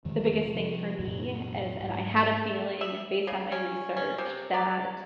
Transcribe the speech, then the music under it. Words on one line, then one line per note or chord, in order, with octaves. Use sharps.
the biggest thing for me is, and I had a feeling, based on my research, that
F2 D#3 E3 G#3
C3 F3
C2 F#2 A#2 E3
G#2
E5
C#3
C#4
C#4
C3
D5